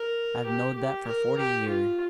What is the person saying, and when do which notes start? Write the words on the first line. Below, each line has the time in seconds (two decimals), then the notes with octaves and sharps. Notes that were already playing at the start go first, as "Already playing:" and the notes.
I've knowed that for forty year.
Already playing: A#4
0.46 G4
0.76 G4
1.07 A#4
1.38 G4
1.68 F4